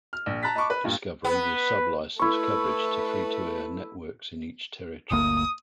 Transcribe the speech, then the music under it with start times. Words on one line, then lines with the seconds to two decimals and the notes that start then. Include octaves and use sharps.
Discovery will sub-license coverage to free-to-air networks in each territory.
0.13 F6
0.26 A#1
0.43 A5 A#5 F#6 A6 B6
0.55 D#5 A5 B5 C#6 D6
0.70 B4
0.84 G2 A#2 G3
1.24 B3 B4
2.19 A3 E4 B4 C#6
5.11 G1 D2 A#3 D#6